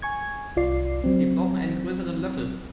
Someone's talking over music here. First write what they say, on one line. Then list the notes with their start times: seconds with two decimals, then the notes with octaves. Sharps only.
Wir brauchen einen größeren Löffel.
0.02 G#5 C#6 G#6
0.56 C2 F4 D5 C7
1.04 F#3 C4